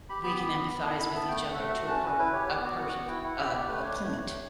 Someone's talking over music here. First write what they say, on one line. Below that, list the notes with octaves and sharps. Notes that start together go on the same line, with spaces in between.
we can empathize with each other to a per a persa uh, a point,
G4 B5
B3 B5
B3
B3
B3
E4
E4 B5
B3 A5
A3 G5
A3 F#5
E5
A3 F#5
E5
F#4 F#5
C#4 A5
C#4 B4
E4 B4
G4 C#5
B3 D5
F#4 D5
B3 F#5
F#4 F#5
E4 G5
E4 F#5
G4 E5
G4 D5
A3 B4
D4 C#5
A3 B4
C#5
A3
G4